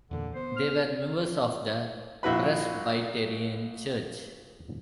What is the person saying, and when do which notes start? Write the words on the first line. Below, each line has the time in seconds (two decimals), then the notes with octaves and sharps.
They were members of the Presbyterian Church.
0.11 E2 A#2 D3 A#3
0.35 B3 C5
0.57 F6
2.23 A#1 E4 F#4 B4 B5